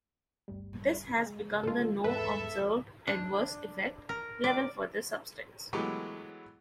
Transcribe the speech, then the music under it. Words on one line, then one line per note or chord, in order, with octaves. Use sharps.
This has become the no-observed-adverse-effect level for this substance.
G1 D2 G3
G#3
D3 G#3 F4 A4
E2 G#2 G#3 A4 B4 E5
D4
A#4
D5
E3 F#3 G#3 A3 B3 G4